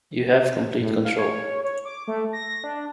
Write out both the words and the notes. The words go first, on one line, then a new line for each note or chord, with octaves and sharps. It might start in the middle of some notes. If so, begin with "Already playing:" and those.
You have complete control.
A2
F5
C#5
C#5
D6
A3
A#6
D4